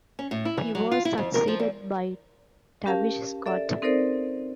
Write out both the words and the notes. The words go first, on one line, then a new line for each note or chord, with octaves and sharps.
He was succeeded by Tavish Scott.
C#4
A2
E4
E3
F#3
F4
E4
F2
A#4
F3
E2
C#4 G4 A#4 F5 A5
A4 D5 E5
C4 D#4 A4 A#4 C5 D5